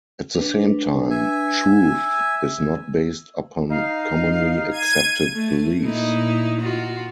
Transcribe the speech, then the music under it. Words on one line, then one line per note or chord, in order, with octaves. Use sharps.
At the same time, truth is not based upon commonly accepted beliefs.
D4 B4
E5 G#5
E6
D#4 F5
G#6 D#7
A3
A#2 D#4 E4
F4 F#4